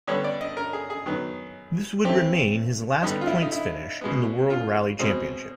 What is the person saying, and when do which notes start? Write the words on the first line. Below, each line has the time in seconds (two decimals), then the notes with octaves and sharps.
This would remain his last points-finish in the World Rally Championship.
0.07 D3 G3 B3 C#5
0.24 D5
0.41 D#5
0.57 A#4
0.73 G#4
0.90 G#4
1.06 D#3 F#3 B3
2.05 E3 A3 C4 G4
3.02 D3 G3 B3 D#4
3.21 F4
3.27 E4
3.42 D#4
3.52 E4
4.01 B2 G#3 B3
4.50 F4
4.99 B2 G#3 C4